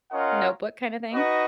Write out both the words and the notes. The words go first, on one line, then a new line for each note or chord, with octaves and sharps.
notebook kinda thing?
C#4 F4 A#4 D#5 F#5
D#4 F#4 B4 D#5